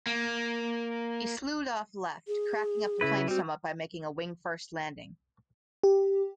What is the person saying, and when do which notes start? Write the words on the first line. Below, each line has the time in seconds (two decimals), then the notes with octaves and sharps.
He slewed off left, cracking up the plane somewhat by making a wing-first landing.
0.07 A#3
2.27 G#4
3.01 C#3 E4 B4
3.28 G3 C4 F#4
5.83 G4